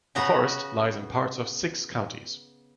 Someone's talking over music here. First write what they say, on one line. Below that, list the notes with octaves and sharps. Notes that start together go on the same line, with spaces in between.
The forest lies in parts of six counties.
C#3 B3 F#4 F#5 A#5